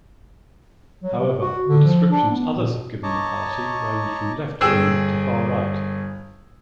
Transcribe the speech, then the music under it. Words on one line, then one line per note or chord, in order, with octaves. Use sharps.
However, the descriptions others have given the party range from left-wing to far-right.
F#3
C3
F#4
D3
F3
D4
B3
A#2
B2
C#5 D#5 A5 A#5 C#6 D6
G1 G#4 G5 E6